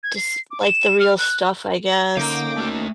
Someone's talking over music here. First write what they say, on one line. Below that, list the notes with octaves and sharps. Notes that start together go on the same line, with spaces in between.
just like the real stuff, I guess.
G#6
C7
D6
E7
F6
F#6
D3 A#3 C#4 D#4 F5 G5 A#5 D6
A3 F#4